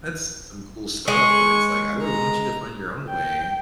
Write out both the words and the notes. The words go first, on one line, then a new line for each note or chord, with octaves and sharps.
that's some cool stuff, but it's like, I would want you to find your own way.
G#3 C#6
A#5
G5